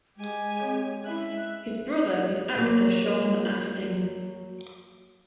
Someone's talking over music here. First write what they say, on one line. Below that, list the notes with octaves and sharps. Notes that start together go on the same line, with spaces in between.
His brother is actor Sean Astin.
G#3 G4 G#5
C4 G#4 C#5
C#4 E4 E5 F#6
F#3 A#3